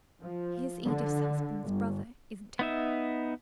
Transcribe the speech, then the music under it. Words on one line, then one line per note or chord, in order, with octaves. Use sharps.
He is Edith's husband's brother, isn't he?
F3
D3
G1
B3 D#4 E5